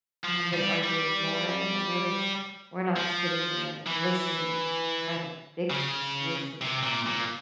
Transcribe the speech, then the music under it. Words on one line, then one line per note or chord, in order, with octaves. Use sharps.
have been arguing more and I noticed, we're not sitting there and listening to kind of fix the solution, it just kind of
F3
G3
G3
F3
E3
C#3
C3
A#2
A#2